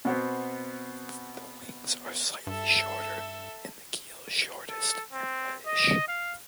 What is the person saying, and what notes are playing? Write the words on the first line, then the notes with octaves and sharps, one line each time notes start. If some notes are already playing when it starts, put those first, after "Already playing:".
The wings are slightly shorter and the keel shortest and reddish.
B2 B3 C4
G2 A4 E5
A4
C4
D#5
F5